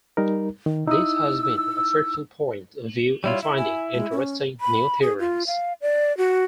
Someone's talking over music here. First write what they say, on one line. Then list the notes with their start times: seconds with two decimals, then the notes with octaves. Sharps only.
This has been a fruitful point of view in finding interesting new theorems.
0.17 G3 D#4 A#4
0.66 D#3
0.88 D#4 E4 D#6 E6
3.24 G3 E4 F4 C#5
3.43 E4 E5
3.58 G#5
3.94 G#3
4.11 C#4
4.61 B5
5.02 G#4
5.19 F4
5.47 F5
5.81 D5
6.17 F#4